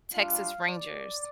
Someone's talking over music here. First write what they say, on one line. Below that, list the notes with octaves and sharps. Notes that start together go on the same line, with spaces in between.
Texas Rangers
G3 D4 F4 F5
D5